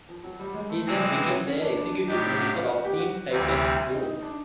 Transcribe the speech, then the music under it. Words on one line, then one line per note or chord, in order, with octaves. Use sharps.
He then became the executive producer of Teen Titans Go!
F3
F#3
G3
G#3
A3
C3 E3 G#3 C4
B3
C#4
C#4
D4
D4
D4
A2 F#3 B3 D4 D#4 G4
F#4
F4
F#4
G4
F#4
D2 C3 E3 G3 C4 F4
E4
D#4
D#4
D4